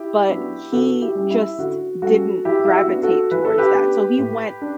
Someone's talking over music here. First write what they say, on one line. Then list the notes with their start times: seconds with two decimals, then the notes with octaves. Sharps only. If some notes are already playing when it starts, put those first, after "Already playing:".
but he just didn't gravitate towards that. So, he went
Already playing: E4 G4
0.29 F#3 B3 D4
0.72 D3 F#4 A4
1.01 E4 G4
1.15 G3 C#4
1.30 E4
1.59 D3 F#4
2.02 G3 C#4 F#4 A4
2.45 E3 E4 G4
2.65 E4
2.74 F#4
2.88 B3 D4
3.02 F#4 A4
3.31 E3 B4
3.45 A4
3.58 G4 B4
3.75 B3 D4
4.18 A2
4.62 D4